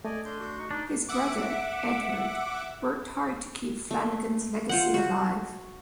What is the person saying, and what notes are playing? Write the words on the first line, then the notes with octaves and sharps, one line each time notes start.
His brother, Edward, worked hard to keep Flanagan's legacy alive.
A3 D5 D#5 G#5
D4 A4 C6 G6
F#4
D#4 C#6
D4 D#4 D5
E5 F#5 D6
A3
F4 C5 F#5
F#4